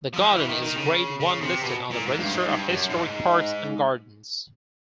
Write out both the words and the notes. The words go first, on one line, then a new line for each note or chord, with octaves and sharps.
The garden is Grade One listed on the Register of Historic Parks and Gardens.
F3
E3
D#3
D#3
C#3
C#3
C3
B2
A#2
G#2
G2
G#2
G2
F#2
G#2